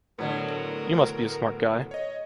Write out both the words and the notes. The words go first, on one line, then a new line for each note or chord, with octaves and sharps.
You must be a smart guy!
A2 D3 F#3 B3 A#4
C#5 D#5